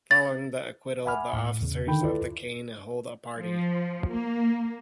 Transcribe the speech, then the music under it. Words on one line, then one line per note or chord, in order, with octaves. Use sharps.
Following the acquittal, the officers of the Caine hold a party.
A6
E5 F#5 G#5 B5 D6 F6
A2
E2 C#3
D3 D#3 D#4 G5 B5
E4 F4 A4 B4 D5
F3
A#3